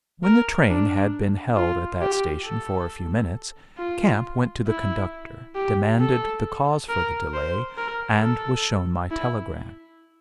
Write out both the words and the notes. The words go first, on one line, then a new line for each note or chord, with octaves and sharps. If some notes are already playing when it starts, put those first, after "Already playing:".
When the train had been held at that station for a few minutes, Camp went to the conductor, demanded the cause for the delay, and was shown my telegram.
A#4
D4
F4
G4
A4
F4
E4
G4
A4
A#4
C5
A#4
A4
E4